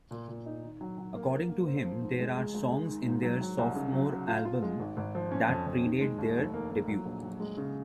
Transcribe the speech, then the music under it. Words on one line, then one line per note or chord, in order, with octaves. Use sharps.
According to him there are songs in their sophomore album that pre-date their debut.
A#2
A#2
D#4
D#3
F#3
F#3
A#3
A#3
A#3
C4
F3
G#2
G#3
C#2
C#2
G#3
D#3
G#2
F#3
F#3
C2
C#3
F#3
F#3
F4
F4
G#3
G#1
G#1
F3
C#4
F2
F2
D#3
G#3
D#2
F1
A#3
A#3
F#3
A#1
F#3
G#3
C#3